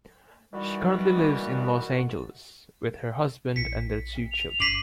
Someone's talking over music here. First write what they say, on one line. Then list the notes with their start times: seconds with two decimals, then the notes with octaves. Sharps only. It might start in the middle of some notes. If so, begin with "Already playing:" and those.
She currently lives in Los Angeles with her husband and their two children.
0.54 D#3 E3 G3 F#4
3.56 A#1 B6 C#7
4.32 F7
4.60 G1 D6 B6 C7 D#7 F#7